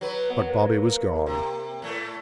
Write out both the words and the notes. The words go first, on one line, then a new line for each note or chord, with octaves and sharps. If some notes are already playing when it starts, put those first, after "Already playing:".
But Bobby was gone.
F#3 B4
B3
A#3
C3
A2 A3